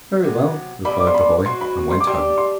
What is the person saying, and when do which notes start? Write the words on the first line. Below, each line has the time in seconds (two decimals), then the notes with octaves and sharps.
'Very well,' replied the boy, and went home.
0.23 C3 F#3 B3
0.85 G3 B3 D4 B5
1.00 D6
1.07 C6
1.14 B5
1.21 C6
1.46 F#3 C4 F#4 C6
1.61 B5
1.91 C6
2.00 D6
2.07 G3 D4 G4 C6
2.38 C6